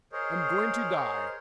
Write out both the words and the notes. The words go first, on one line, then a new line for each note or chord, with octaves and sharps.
I'm going to die!'
G#4 A#4 C5 C#5 D#5